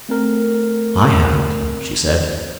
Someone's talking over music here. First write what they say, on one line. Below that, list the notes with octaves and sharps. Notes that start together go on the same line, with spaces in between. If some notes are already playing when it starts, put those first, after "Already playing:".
"I haven't," she said.
A3 C4 A#4